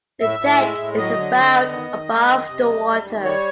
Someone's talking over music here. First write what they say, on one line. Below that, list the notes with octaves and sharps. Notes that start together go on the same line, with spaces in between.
The deck is about above the water.
A2 E5
A2
G#3
A2
F#3 D#5
D3
D3
B3
D#3
D#3
A3
D#3
C3
G3
G3
D#3
G3 C#5